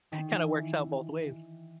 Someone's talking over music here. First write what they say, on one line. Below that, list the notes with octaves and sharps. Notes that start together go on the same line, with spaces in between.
kinda works out both ways.
D#3
E3